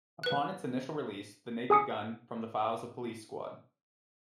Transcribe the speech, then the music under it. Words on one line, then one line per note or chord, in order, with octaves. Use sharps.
Upon its initial release, The Naked Gun: From the Files of Police Squad!
B4 F#6
G#4 G#5 D#6 C#7